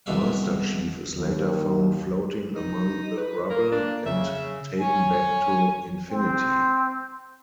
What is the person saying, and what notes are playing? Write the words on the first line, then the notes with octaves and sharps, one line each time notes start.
Master Chief is later found floating among the rubble, and taken back to "Infinity".
C2 G2 B2 G#3 E5 F5
D#2
D#4
B4
A#3 A#4
D4
C#3 E5
C#5 G#5
C4